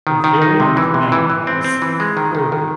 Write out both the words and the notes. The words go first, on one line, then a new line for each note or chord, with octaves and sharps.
A variant name was "Irby".
D#3
D#3
D#4
C3
E3
C3
E3
E3
C4
C4
E3
G#3
D#3
D#3
D#3